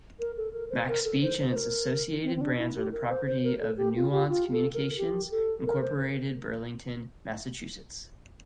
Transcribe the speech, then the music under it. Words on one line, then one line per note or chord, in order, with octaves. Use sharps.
MacSpeech and its associated brands are the property of Nuance Communications, Incorporated Burlington, Massachusetts.
A#4
A4
A#4
C5
A#4
A4
C5
C5
C5
A#4
C4
C4
D4
E4
G4
A#4
C5
C5
A#4
A4
G4
F4
G4
F4
A4
A#4
G4
A4
A#4
C5